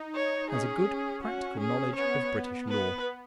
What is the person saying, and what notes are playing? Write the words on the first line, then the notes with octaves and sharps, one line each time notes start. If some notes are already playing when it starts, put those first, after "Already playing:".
Has a good practical knowledge of British law.
Already playing: D#4
C#5
C#4 G#4
F#4
G#4
B3 C#5
B3
B3 B4